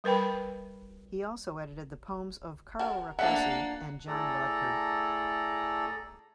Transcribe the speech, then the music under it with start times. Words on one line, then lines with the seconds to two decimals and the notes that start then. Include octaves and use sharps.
He also edited the poems of Carl Rakosi and John Rodker.
0.04 G3 A#4 B4 G5 B5
2.79 F#4 A#4
3.19 F3 A3 A#3 D4 E5 F#5
4.07 A2 A3 G#4 A4 D5 A#5